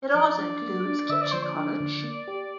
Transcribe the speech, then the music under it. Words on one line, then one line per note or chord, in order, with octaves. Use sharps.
It also includes Keachie College.
F3 D5
D4
A#3
D4
D3 E5
D5
F3 C5
D5
D4
D3
A#3
G4